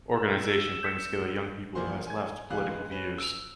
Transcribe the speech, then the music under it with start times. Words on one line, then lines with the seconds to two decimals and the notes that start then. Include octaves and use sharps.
Organisation brings together young people who has left political views.
0.15 E6
0.83 G6 B6 C#7
1.75 A#1 E3 F3 A#3 C5 C6
2.07 G#5 G#6
2.50 C2 E3 G3 F5 F#6
2.67 G#3 B4
2.91 C#4 B4
3.18 E6 D7 F7